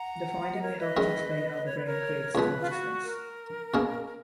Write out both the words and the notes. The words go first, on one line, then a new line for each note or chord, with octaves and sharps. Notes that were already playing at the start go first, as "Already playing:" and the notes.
The finding may help to explain how the brain creates consciousness.
Already playing: F#5 A#5
D#5
A#4 C#5
B4 D#5
F#2 D#3 G#3
C#5
B4
A#4 C#5
C#2 B2 G#3 B4
F4
F#4
A#4
B2 A#3 C#4 G#4